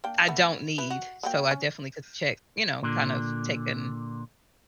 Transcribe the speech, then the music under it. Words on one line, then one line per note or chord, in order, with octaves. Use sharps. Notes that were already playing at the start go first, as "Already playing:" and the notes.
I don't need. So, I definitely could check, you know? Kind of take an
A#3 D4 G5
A3 B3
E4 B4
F#4
F#3 A#3 G5
C#4
A#2 D3